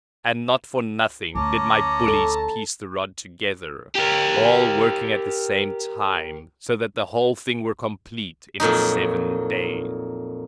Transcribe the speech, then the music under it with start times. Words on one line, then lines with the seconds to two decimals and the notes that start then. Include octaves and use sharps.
And not for nothing did my bullies piece the rod together, all working at the same time, so that the whole thing were complete in seven days.
1.35 D2 C#4 A5 A#5 D6
2.08 A4
3.95 G4 A#4
8.60 F2 A#2 F#3 D#4